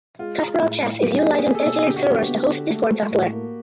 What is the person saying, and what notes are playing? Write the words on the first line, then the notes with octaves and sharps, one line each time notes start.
Kasparov Chess is utilizing dedicated servers to host Discord software.
G#3 F4
G#3
A2
A2
F#3 G4
G#4
A#3
G4
A#3 G#4
A4
B2 A4
G#4
D3 G4
F#4
D3 G4
B3
D3
A3
A3
A2
A#3